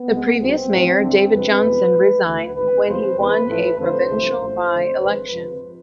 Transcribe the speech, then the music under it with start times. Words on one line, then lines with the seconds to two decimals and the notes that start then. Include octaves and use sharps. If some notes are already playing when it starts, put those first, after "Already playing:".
The previous mayor David Johnson resigned when he won a provincial by-election.
Already playing: B3
0.08 C2 C3 G#3
0.39 B1 B2 G#3 C4
0.70 A1 A2 F3 A3
1.00 D2 D3 A3 C4
1.31 F2 C3 G#3 B4
1.62 E2 B2 G#3
1.93 G#2 E3 A3
2.24 D2 D3 A3 B4
2.54 G#1 G#2 G#3 B4
2.85 E2 C3 F3 G#3 C5
3.16 E2 C3 G#3 B4
3.46 A1 A2 F3 A3
3.77 F2 D3 F3 A3 C5
4.08 C2 C3 E3 A3
4.39 A1 A2 F3 C5
4.70 F2 D3 A3
5.01 G#1 G#2 F3 G#3 B4
5.32 F2 C3 F3